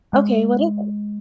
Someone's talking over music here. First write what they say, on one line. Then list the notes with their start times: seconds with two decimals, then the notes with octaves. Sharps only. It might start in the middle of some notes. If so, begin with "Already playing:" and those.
Okay, what is it?
0.13 G#3